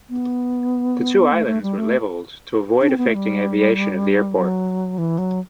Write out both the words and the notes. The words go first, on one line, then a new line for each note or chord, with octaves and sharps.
The two islands were leveled to avoid affecting aviation of the airport.
B3
A3
A3
G3
A3
D4
C4
B3
A3
G3
F#3
E3
F#3